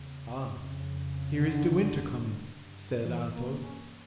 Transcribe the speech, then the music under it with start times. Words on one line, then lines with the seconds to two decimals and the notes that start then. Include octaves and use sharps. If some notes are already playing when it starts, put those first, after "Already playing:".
"Ah! here is De Winter coming," said Athos.
Already playing: E2 C#3
0.51 F2 C#3
1.35 D3
2.19 G2
3.04 E3
3.31 A#3
3.61 C#4